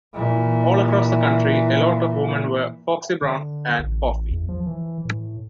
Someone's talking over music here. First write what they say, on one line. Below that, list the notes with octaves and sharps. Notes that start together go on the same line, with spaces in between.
All across the country, a lot of women were "Foxy Brown" and "Coffy".
A#2 E3
D3
A1
E2
F3
E3
A2